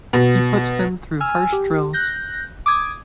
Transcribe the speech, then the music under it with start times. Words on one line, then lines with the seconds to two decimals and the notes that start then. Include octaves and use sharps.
He puts them through harsh drills.
0.13 B2
1.20 G#5 E6 F6
1.52 G4
1.93 F#6 G6 A#6
2.66 D6 D#6 G#6